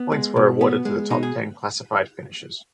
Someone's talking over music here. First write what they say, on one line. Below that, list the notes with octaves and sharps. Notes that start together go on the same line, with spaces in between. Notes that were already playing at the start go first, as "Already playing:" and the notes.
Points were awarded to the top ten classified finishers.
Already playing: B3
G#3
B2
B3
G#3
B2 D#4
G#4